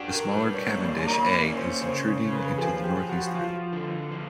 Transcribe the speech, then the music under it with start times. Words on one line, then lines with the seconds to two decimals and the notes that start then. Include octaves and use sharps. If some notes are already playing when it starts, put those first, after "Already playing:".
The smaller Cavendish A is intruding into the northeast rim.
Already playing: D4 F#4 G4
0.10 A#4
0.29 G3 B4
0.54 C#5
0.67 A#3
0.80 D5
1.01 C#5
1.06 A#3 D5
1.31 C#5
1.43 C#4
1.57 C5
1.81 C#3 C5
2.07 C#5
2.20 C#3
2.33 B4
2.58 F3 G#4
2.84 G4
2.96 F3
3.09 F#4
3.35 F3 F4
3.73 D3
4.11 F3